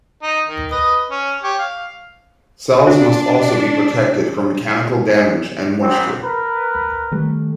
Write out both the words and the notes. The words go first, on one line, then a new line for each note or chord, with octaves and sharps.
Cells must also be protected from mechanical damage and moisture.
D#4
D#3
B4 D#5
C#4
G4 C#5
F5
D4 F#4
G#1 F#3 C4
A#4 B4
D#3 G3 A3